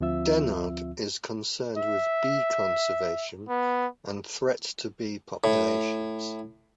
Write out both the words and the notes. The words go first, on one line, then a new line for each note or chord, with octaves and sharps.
Dennard is concerned with bee conservation and threats to bee populations.
D2 F3 C4 F4 E5 E6
E5
B3
A2